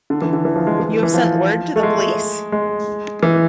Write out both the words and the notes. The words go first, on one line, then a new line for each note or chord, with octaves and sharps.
You have sent word to the police?
D3
E3
D3
E3
F3
G#3
E3
E3
F3
A3
G#3
G#3
E3